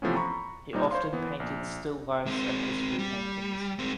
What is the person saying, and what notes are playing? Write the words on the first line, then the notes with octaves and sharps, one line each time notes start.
He often painted still lifes and history paintings.
C3 E3 F3 A3 B3 C#4
A#5 B5 C#6
A#2 G3 D#4
C5 C#5 F5 C6
E3 B3
A#1
G#3 C4
G3
G#3 C4